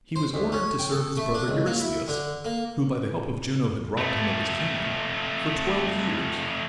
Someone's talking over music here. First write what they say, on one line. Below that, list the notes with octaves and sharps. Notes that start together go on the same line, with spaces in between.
He was ordered to serve his brother Eurystheus--who, by the help of Juno, had robbed him of his kingdom--for twelve years.
C5
D2
C#4
G5
A4
A3
D4
C#2
A#3
E4
D3
A#3
F2 A3